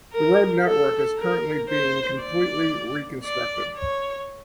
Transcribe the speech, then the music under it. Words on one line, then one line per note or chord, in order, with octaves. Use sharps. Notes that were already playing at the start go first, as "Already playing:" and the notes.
The road network is currently being completely reconstructed.
A#4
A4
A#4
C5
D5
D5
C#5